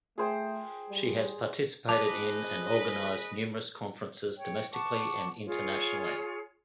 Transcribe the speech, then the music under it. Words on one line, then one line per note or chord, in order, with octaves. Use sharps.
She has participated in and organized numerous conferences domestically and internationally.
A3 G#4 C5 G5
G3
A#2 G#4 B4 C5 D#5 A5 D6 F7
C#5 G5
F#5 A5 C#6 D6
F4 G#4 C#5